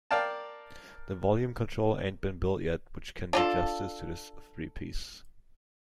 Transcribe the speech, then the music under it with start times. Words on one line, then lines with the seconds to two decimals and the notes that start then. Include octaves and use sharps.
The volume control ain't been built yet which can do justice to this three-piece!
0.11 A#4 D5 F5 G5 A5
3.33 D4 F4 A4